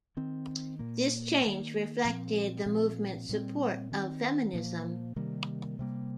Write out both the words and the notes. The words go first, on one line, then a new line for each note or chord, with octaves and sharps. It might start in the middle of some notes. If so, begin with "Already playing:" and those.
This change reflected the movement's support of feminism.
D#3 C4
A#2 A#3
D#3 A#3
A#2 F3 C4
A#2 F3 C4
A#2 G3 C4
D#3 C4
A#2 F3 A#3
C3 D#3 G3 A#3
C3 G3 A#3